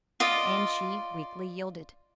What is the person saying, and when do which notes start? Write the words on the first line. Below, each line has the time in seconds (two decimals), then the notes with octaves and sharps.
And she weakly yielded.
0.20 F4 D5 D#5